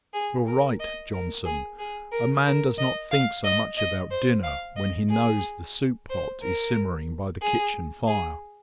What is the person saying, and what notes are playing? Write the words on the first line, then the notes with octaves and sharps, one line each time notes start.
"You're right, Johnson; a man does not think so much about dinner when he knows the soup-pot is simmering by the kitchen-fire."
G#4
A#4
D#5
A#4
G#4
G#4
A#4
A#4
D#5
F5
D#5
D#5
C5
F5
D#5
G#4
C5
A#4
G#4
G#4